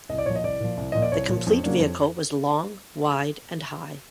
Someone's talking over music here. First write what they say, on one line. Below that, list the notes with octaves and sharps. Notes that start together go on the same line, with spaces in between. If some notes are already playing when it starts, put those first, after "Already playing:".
The complete vehicle was long, wide and high.
C2 D#5
D5
A#2 F3 C#5
D#5
C2 D5
A#2 F3
C2
A#2 F3 D#5
D5
C2 C#5
A#2 F3
F2
C#3 F#3 A#3 D4
F2